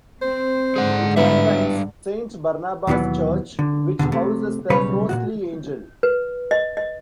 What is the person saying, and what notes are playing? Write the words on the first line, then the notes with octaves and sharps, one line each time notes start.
It contains Saint Barnabas' Church, which houses the Frostley Angel.
C4 C5
G#2 D3 G#4 F#5
G3 B3 D4 E4 B4 E5 A#5
D#2 B2 E3 F#3 B3
D3
E2 G2 B2 D3
C3 A3
B1 C#3 G3 B4 C#5 B5
A#2 E3 F#4
B4
D#5
D#5